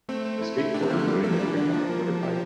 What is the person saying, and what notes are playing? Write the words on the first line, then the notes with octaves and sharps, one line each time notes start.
A skateboarder doing a trick off a quarter pipe.
A3 C4
C4
E4
E4
D4 G4
C4
D3 A#3
A3
G3 A#3
A3 A#3
F3
G3 D4
E3
D3 D4
E3
F3 A#3
A#3
A#3
G4